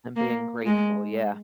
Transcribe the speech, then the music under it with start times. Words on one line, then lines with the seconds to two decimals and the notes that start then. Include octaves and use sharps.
And being grateful. Yeah.
0.16 A#3
0.66 G#3